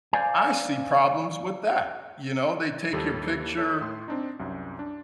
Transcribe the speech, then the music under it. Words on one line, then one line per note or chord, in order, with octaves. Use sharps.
I see problems with that, you know? They take your picture,
C5 D5 F5 G#5
D#2 G3 A#3 F4 A4
A4 C#5 G6 B6
A2 C6
C4 D4 D#4
C2 F#2
D4